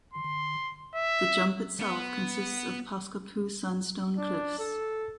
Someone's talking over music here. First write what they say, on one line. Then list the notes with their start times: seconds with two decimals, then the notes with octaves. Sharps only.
The jump itself consists of Paskapoo sandstone cliffs.
0.13 C6
0.95 E5
1.80 B3
4.17 D4
4.59 A4